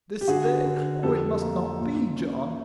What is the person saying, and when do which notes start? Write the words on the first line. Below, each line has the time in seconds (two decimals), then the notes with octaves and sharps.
This day--oh, it must not be, John!
0.21 G4
0.28 D3 F#4 G#4
0.66 D3
1.03 F2 G4 A4
1.41 A#3
1.79 A#2
2.16 C#4